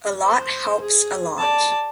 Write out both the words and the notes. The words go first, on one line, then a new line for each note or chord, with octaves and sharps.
A lot helps a lot.
C5
G#4
D5 A5